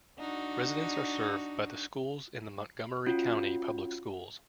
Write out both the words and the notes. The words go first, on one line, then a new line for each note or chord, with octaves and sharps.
Residents are served by schools in the Montgomery County Public Schools.
D4 D#4 F#4
C#4 F4 F#4